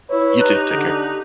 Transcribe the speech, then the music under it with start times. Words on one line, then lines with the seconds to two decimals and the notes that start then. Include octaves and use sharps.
You too, take care.
0.10 E4 B4 C#5
0.41 D#4 G4 F#6
0.73 D3